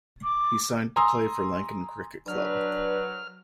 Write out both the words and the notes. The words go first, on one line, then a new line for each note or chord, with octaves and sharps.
He signed to play for Lankan Cricket Club.
D6
G#5 A#5 C6 D#6 E6
F#3 D4 B4 F6